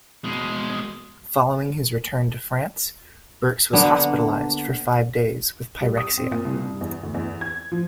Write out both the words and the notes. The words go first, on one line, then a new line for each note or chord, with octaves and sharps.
Following his return to France, Birks was hospitalised for five days with pyrexia.
B2 G#3
D3 A#3 B3 D4
G3
D#6
C4
A#2
C2
G2
E2
D2
E2
G#6
F3